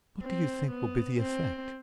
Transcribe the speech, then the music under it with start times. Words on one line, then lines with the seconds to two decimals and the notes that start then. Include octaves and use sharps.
"What do you think will be the effect?"
0.23 C4
0.72 B3
1.20 C4